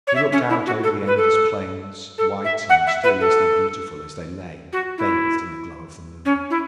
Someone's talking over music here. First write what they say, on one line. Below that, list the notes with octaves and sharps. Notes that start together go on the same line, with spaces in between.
He looked out over the endless plains, white and mysteriously beautiful as they lay bathed in the glow of the moon.
C#5
E5
C#4
E4
F#4
A4
B4
A4
A4
E5
F#5
E5
B4
A4
F#4
E4
C#4
E4